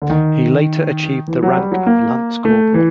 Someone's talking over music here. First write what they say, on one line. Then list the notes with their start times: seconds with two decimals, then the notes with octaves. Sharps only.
He later achieved the rank of lance corporal.
0.02 D3
0.10 D#3
1.28 E3
1.43 F#3
1.57 G3
1.72 F#3
1.86 A#3
2.45 A3
2.74 E3